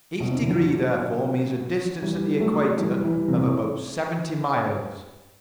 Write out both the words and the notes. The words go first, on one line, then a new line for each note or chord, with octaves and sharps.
Each degree therefore means a distance at the equator of about seventy miles.
B2
C3
D3
E3
D3 F#3
E3 G3
F#3 A3
E3 G3
E3 G3
C3 E3